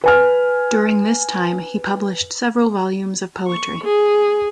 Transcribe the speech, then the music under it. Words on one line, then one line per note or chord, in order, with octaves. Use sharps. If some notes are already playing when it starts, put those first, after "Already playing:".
During this time, he published several volumes of poetry.
B4 G#5 F6
C#6
G#4